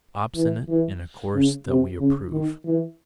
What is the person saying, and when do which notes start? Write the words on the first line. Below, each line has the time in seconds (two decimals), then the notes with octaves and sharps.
Obstinate in a course that we approve.
0.36 E3
0.68 E3
1.34 C#3
1.67 C3
2.00 C#3
2.32 D#3
2.65 E3